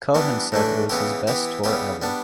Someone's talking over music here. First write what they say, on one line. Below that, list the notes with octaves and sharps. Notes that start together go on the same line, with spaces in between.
Cohen said it was his best tour ever.
E3 G3 B3 D4
A2 E3 A3 D4
C#3 E3 B3 E4 G4
E3 B3 E4 G4
C#3 G3 B3 E4 G4
G3 B3 D4